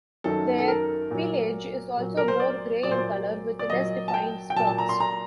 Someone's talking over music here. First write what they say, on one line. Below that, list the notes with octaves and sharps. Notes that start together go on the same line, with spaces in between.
Their pelage is also more gray in colour with less defined spots.
F#2 D#3 F#3 A4
A4
A#4
A#2 F#3
A#2 F#3
A#4
C5
D5
F#3 D5
A#2 C5
D5
D5
A#2 F#3 D#5
A5
G5
G5
A#2 F#3 A5
A5
A#5
C6
A#5